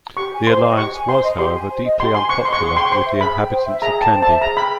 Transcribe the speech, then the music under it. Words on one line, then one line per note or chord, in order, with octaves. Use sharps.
The alliance was however deeply unpopular with the inhabitants of Kandy.
G4 C#6
G#5
C5 C6
D#5
G4 C#6
G#5
C5 C6
D#5
G4 C6
G#5
C5
D#5
G4 C6
G#5 C6
C5 C#6
D#5 C6
C#6
G#4 C6
C#6
G5 C6
C#6
C5 C6
E5
G#4 B5
G5
C5
E5
G#4 A#5
G5 A5
C5
A5
E5
G#4 A#5
G5 B5